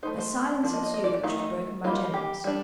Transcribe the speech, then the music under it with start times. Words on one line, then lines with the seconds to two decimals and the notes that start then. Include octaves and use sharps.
A silence ensued which was broken by Jennings.
0.03 A3 C4 D#4 C5
0.18 C5
0.63 F3 A#3 D4
0.73 D#5
0.83 D#5
0.94 D#5
1.04 D5
1.14 D5
1.23 D#3 A3 D#4 F4
1.39 D#4
1.84 G3 A#3 D#4 F4
2.14 G4
2.44 G3 D4